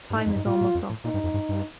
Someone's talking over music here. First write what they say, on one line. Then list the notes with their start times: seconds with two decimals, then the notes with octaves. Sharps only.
Time is almost up.
0.10 G2
0.17 A2 D#4
0.26 F2
0.36 G2
0.46 A2 F4
0.61 A2
0.75 F2
0.90 A2
1.04 A#2 D#4
1.14 G2
1.24 F2
1.34 G2
1.49 G2